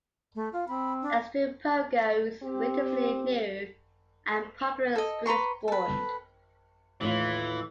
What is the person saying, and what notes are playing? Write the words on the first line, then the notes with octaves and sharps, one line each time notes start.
Extreme pogo is a relatively new and popular extreme sport.
A3
F4
C4 B5
D4
C4 G4
A4 D#5
B4 A#5 C6 C#6
A4 B4
D#2 A2 E3 F4